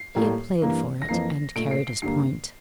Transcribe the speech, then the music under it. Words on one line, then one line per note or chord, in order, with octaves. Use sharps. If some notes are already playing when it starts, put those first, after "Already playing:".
He had played for it, and carried his point.
Already playing: C7
A2 G3 A#3
G2 E3 A#3
A#6
F2 E3 A#3 C7
A#2 A3 D7
C7
C7
G2 D3 G3 A#3 C7